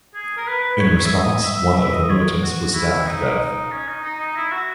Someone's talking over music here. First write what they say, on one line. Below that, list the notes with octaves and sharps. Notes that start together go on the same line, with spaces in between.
In response one of the militants was stabbed to death.
G#4
A#4
B4
B4
C#5
C#5
E5
D#5
E5
E5
D#5
C#5
F#4
E4
D#4
C#4
D#4
D#4
D#4
E4
F#4